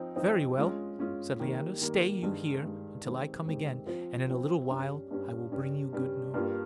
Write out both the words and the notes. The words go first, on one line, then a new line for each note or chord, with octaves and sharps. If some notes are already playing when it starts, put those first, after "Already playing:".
"Very well," said Leander; "stay you here till I come again, and in a little while I will bring you good news."
Already playing: F3 C4 D#4
F3 C4 D#4
G#3 C#4 F4
G#3 C#4 F4
D#3 G3 A#3
D#3 G3 A#3
G2 D#3 G#3
G2 D#3 G#3
D#3 G#3 C4 G4
D#3 G#3 C4 G4
F3 C4 F4
F3 C4 F4
G2 G3 C#4
G2 G3 C#4
G2 G3 C#4
G2 G3 C#4
G2 G3 A#3 F4